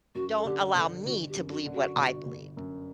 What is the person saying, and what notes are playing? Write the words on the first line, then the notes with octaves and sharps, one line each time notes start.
don't allow me to believe what I believe,
F#2 F#4
A4
D3 G4
G1 A4
G1 F#4
G4
F#2
F#4
D3
F#4
G1
G1
F#2